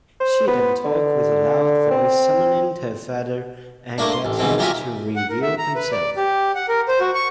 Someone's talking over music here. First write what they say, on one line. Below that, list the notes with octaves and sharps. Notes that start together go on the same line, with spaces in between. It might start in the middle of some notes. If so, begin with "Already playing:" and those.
She then talked with a loud voice summoning her father Angantyr to reveal himself.
C5
B3
D3
C4
A3 A#3 D4
C6
A1
G#2 B2 E3 C4
F#2 F3 G4 A#4 E5 G#5
F#5
A#4
E5
A#5
B4
D5
G4
F#5
A#4
C5
F#4
C#6